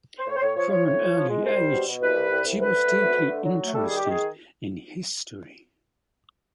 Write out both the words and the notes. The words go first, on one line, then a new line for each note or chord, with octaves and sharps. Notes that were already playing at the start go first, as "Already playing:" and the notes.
From an early age, she was deeply interested in history.
C5
A2 C#5
C5
A2 C#5
F3 C#5
F3 C#5
A2 C#5
F3
F3
G#3
C2 C5
G3
B2
B2
C2 B4
G3
C2
C2
D2 B4
D2
A3
D2
A3
D3
F#3
A3
G3 A4
D#3 G#4
G4
D#3 G#4